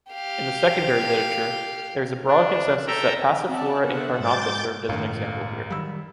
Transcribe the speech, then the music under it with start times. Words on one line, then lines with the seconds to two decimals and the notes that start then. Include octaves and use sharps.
In the secondary literature, there is a broad consensus that "Passiflora incarnata" served as an example here.
0.12 G4 F5
2.27 D4
2.87 A4 E5 G5 A#5
3.49 C4 D5 E5 F#5 A5
3.85 B3 D4 A4 C5 E5 F#5 G#5
4.20 G#2 F#3 D6 G6 A6
4.89 G1 C#2 A2 D#3 A3 F5
5.70 D#3 F#3 G3 B5 E6